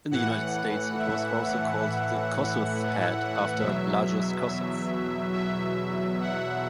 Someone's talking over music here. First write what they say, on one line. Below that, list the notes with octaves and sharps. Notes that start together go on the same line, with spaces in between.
In the United States it was also called the Kossuth hat, after Lajos Kossuth.
A2 E3 F#5
E5
E5
E2 B2 F#3 E5
E5
F#5